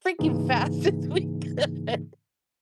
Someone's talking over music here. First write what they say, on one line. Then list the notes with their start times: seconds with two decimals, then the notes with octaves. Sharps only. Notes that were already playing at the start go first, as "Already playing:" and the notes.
freaking fast as we could.
0.19 G#2 C#3 E3 A#3 D#4 G#4